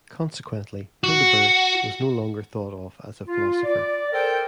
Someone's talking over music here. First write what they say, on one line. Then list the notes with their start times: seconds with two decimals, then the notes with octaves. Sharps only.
Consequently, Hildebert is no longer thought of as a philosopher.
1.04 F#4
3.27 F4
3.63 D5
4.13 A4 A#4 C5 G5